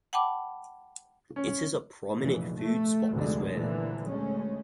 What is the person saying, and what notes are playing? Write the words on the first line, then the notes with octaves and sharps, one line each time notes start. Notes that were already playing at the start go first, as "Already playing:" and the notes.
It is a prominent food spot as well.
F#5 G5 A5 B5 D6
C#4
F1 A#2 C#3 E3
A3
F1 D2 G#2 D3 F3 G#3
C2 A#2 D3 E3 F3 A#3
D2 G#3 A3 C#4